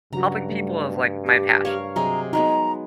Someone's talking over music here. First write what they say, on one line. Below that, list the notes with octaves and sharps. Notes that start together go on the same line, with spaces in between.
helping people is, like, my passion,
G2 C#3 F#3 F#4 A#5
G3 A3
G4
A#4 C#5 F5
C3 F#3 G#4 D#5 A#5
F#3 G#3 B3 D#4 A#5